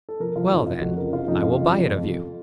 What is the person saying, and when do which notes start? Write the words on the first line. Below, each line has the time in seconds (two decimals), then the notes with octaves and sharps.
"Well, then, I will buy it of you!"
0.09 A4
0.20 F3 A#4
0.36 F3 F4
0.51 F2 D#4
0.66 F3 F4
0.82 F2 F#4
0.97 C#3 A#4
1.13 C#3 F4
1.28 F2 D#4
1.43 C#3 F4
1.59 F2
1.74 F2
1.89 F2
2.05 F2